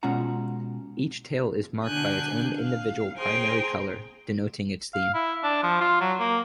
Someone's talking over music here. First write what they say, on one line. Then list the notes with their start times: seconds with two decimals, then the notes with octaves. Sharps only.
Each tale is marked by its own individual primary colour, denoting its theme.
0.03 B2 G#3 C#4 F4 F#5 A#5
1.85 B2 D3 D4 G#5 F#6 G6
2.58 F5
3.16 G#4 C5 G5 G#5 A#5 C6
4.94 F5
5.14 E4
5.44 D4
5.63 F3
5.81 F4
6.01 F#3
6.19 A#3